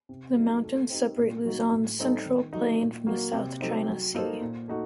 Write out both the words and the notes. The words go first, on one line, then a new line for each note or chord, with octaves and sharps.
The mountains separate Luzon's central plain from the South China Sea.
C3
F#3 A3 D#4
A3
C4 D#4 G4
A#2
F#3 A#3 D#4 F#4
A2
G3 C4 D#4 A4
D#3
F#3 A3 D#4
A#2
F#3 A#3 F#4
C3
F#3 A3 C4 D#4
F#3
A#3 D#4 A4 C5
A#2
A3 D#4 F#4